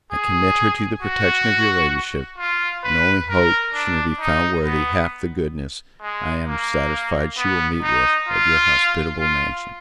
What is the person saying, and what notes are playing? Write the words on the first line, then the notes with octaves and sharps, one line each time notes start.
I commit her to the protection of your Ladyship, and only hope she may be found worthy half the goodness I am satisfied she will meet with at your hospitable mansion.
G#4
F#4
F4
B4
A#4
D4
D#4
B3
G#3
A#3
B3
D#4
F4
F4